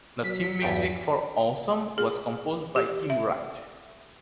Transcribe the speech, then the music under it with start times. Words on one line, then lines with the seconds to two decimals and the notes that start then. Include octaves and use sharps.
The theme music for "Awesome" was composed by Tim Wright.
0.24 F#3 B6
0.62 E2 G2 G4
1.98 G#4
2.76 G4
3.10 E5